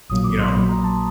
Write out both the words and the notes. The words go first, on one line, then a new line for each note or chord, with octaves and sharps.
you know,
A#1 A#2 F#3 A#3 D#6
D6
C6
A#1 A#2 F#3 A#3 B5
A#5
A5